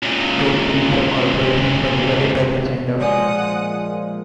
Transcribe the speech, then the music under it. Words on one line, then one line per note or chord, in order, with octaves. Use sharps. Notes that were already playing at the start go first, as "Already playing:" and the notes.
Both teams, or "corporations", were divided by their gender.
C#2 A#2
A#2 F3 G#3 C#5 D5 F#5 G#5 D#6